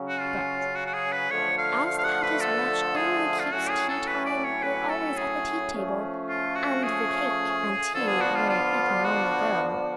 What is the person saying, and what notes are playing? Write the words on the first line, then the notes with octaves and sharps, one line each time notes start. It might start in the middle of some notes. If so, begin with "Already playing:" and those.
"But as the Hatter's watch only keeps tea-time we're always at the tea table, and the cake and tea were eaten long ago."
Already playing: C#3 F#3 C#4
F#4
F4
F#4
F#4
G#4
B4
D3 F3 A3 C#5
F5
F5
F5
F#5
B4
A4
G#4
F4
A2 F#3 A3 C#4 F#4
G#4
A4
B4
D5
C#5
B4
A4
G#4
F3 A3 C#4
F4
F#4
G#4
D3 F3 B3 D4 A4
G#4
F#4
F4
F4
F#4